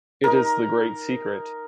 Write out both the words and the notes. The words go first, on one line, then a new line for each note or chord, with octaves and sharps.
It is the Great Secret.
D#4 A#4